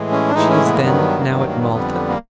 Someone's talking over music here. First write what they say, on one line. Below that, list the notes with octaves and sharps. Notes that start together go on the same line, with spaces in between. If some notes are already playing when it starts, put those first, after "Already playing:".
"She is, then, now at Malta?"
Already playing: A2 E3 G#3
C#4
D4
A2 E3 G#3 D#4
C#4
B3
A#3
G2 D#3 F#3 B3
A#3
G2 D#3 F#3 B3
A#3
A#3
B3
F2 D3 G3 B3
A#3